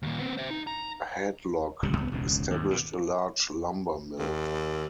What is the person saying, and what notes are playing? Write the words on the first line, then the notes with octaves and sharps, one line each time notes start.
Hadlock established a large lumber mill.
D#2 A#2
B3 C4
C5 E5
D#4
A#5
D1 C#2 C#3 G3
C2 B3
E1 C#2 G#2 B2
D#2 G#2
B2
D#2